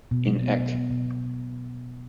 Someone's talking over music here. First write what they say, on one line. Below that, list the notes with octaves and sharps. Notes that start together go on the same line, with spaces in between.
In Eq.
B2
F#3
B3
B2
B3
B2
B2